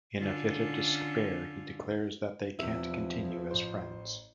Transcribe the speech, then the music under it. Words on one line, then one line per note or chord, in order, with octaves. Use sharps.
In a fit of despair he declares that they can't continue as friends.
D3 C#4 F4
E2 C3 F3 E4
A1 C5